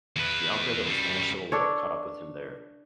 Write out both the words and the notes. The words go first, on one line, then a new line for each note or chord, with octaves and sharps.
The outbreak of the Spanish Civil War caught up with him there.
E2 B4
F#2 G3
D4 A4 C#5